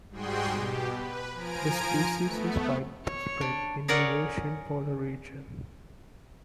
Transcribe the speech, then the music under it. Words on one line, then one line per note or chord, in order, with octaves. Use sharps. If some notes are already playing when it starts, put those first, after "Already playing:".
The species is widespread in the Eurasian polar region.
G#2 G3 F#4 G#4 G5 C6
B2 G4
B4
F3 G#5 A#5 D7
A3 B3
C#5
D4
G#4 A#4 C#5 D5 F#5